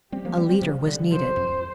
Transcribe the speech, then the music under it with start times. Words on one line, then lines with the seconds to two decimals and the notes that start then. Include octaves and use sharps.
A leader was needed.
0.12 G3 C4 G4
0.25 F3 A#3
0.37 G3 C4
0.49 G3 C4
0.62 C3 F3
0.87 D3 G3
1.12 C3 F3 C5
1.37 F2